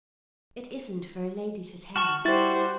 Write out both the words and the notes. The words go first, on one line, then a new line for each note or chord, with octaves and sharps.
'It isn't for a lady to tell.'
F#4 A5 C#6 F6
G3 E4 F#4 C5 A6